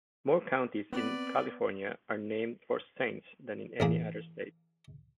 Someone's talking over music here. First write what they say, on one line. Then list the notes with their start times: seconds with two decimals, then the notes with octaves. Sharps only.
More counties in California are named for saints than in any other state.
0.93 B3 C4 B4 D5
3.80 A1 A#3 G#4